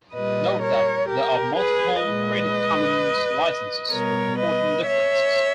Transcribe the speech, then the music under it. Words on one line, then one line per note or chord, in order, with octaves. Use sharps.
Note that there are multiple Creative Commons licenses with important differences.
A#2 G3 B4 D#5
A#4 C#5
G4 A#4
G#4 B4
A#2 G#3 B4 D#5
B2 G3 A#4 C#5
B4 D#5
C#5 E5